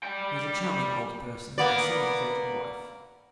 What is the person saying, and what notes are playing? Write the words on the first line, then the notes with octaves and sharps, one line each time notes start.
He is a charming old person, and so is his aged wife.
G3 G5
A#3 B3 D5